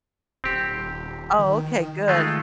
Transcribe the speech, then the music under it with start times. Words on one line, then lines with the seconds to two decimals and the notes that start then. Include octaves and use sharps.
Oh, okay, good.
0.44 D#1 C4 G4
1.38 D#3
2.08 D#3 G#3 A3 F4